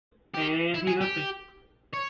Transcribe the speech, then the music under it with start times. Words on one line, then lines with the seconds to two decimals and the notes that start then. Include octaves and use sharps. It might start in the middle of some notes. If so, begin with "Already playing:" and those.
And he hooked me.
0.34 G4
0.74 E4
0.87 G#4
1.01 G4
1.94 C#5